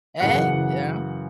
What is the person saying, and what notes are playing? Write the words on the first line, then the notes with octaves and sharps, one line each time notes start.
Hey, yeah.
F#2 C#3 E3 F#5